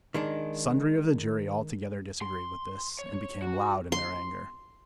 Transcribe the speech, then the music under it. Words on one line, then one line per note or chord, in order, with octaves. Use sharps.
Sundry of the jury altogether disagreed with this, and became loud in their anger.
D#3 G#3 D4
C6
C#5
F#4
C6